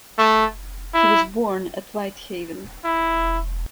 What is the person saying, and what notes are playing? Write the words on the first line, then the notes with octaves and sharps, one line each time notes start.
He was born at Whitehaven.
A3
E4
E4